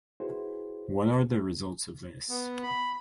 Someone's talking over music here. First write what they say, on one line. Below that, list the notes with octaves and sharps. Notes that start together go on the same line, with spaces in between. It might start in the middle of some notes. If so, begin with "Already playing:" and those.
What are the results of this?
E4 F#4 G#4 B4 C5
B3
B5